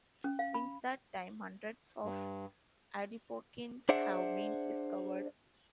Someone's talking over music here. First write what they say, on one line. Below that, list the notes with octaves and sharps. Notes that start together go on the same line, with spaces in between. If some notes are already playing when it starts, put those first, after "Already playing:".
Since that time, hundreds of adipokines have been discovered.
C#4
F5
B5
G2
D4 G#4 C5 D5 E5 F#5